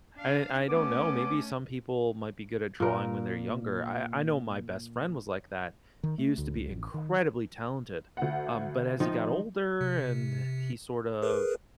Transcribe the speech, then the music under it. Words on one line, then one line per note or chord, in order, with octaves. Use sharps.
and I don't know, maybe some people might be good at drawing when they're younger, I I know my best friend was like that, he used to be incredibly talented, um, but as he got older and he sort of
D4 F5
A3 B3 C#4 D6
A#2 A#4
D#3
A3
D2
C#2
A1
D#3
D2 F#5
D#3 F3 D#4
C3
G#4 A#4 B4